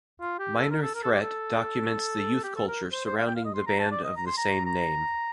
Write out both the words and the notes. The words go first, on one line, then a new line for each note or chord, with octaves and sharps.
"Minor Threat" documents the youth culture surrounding the band of the same name.
F4
G4
A4
A#4
A4
A#4
A4
G4
A4
G4
A4
A#4
C5
C5
F5
G5
F5
D#5
C6
A#5
A5
D5
D#5
A#5
C6
A#5
A#5